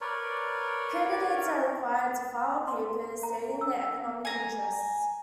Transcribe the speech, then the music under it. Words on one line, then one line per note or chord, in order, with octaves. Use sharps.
Candidates are required to file papers stating their economic interests.
A#4 B4 C#5 D5
C6
A#5
E6
G#5 A#5